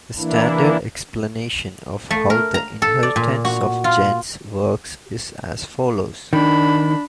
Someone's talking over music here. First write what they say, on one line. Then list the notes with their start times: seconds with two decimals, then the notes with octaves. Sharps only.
The standard explanation of how the inheritance of gens works is as follows.
0.18 E3 A#3 D4 E4
2.11 A3
2.30 A#4
2.54 A#5
2.82 A4
3.03 D5
3.16 A#2
3.45 F#4
3.84 F4
6.33 D#3 D4 B5